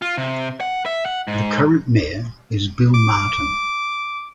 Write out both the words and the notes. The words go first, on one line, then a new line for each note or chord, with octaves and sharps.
The current mayor is Bill Martin.
F4
C3
F#5
E5
F#5
G#2
D6